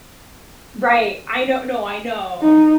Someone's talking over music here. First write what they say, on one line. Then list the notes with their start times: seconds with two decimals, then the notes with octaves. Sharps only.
Right. I know No, I know.
2.43 D#4